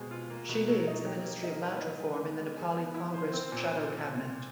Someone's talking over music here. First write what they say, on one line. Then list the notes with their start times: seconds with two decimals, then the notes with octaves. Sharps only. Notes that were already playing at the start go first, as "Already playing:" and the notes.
She leads the Ministry of Land Reform in the Nepali Congress shadow cabinet.
Already playing: B2 G#3 C4
0.11 F4
0.30 A#3
0.49 B2
0.68 F#3
0.87 D#4
1.06 G4
1.24 A#3
1.44 D#4
1.63 B4
1.81 D#4
2.00 G#3
2.19 B3
2.39 G#3
2.58 G#4
2.76 B3
2.94 E4
3.14 C5
3.33 C4
3.52 A#2